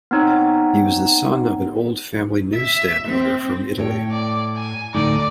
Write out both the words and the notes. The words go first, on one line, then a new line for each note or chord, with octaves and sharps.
He was the son of an old family newsstand owner from Italy.
B3 C4 D#4 C#5
E5
C4
A2 C#5 G5
D5
G#5
D2 A2 D#4 D5